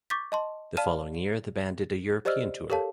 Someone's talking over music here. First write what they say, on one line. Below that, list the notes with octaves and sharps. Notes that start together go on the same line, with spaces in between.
The following year, the band did a European tour.
C#6 D6 G6 A6 B6
D#5 A5 C6
D5 F5 A5 F6 D#7 E7
G4 C5 D5 D#5 E6 F6
G4 A4 A#4 C#5 F5 A5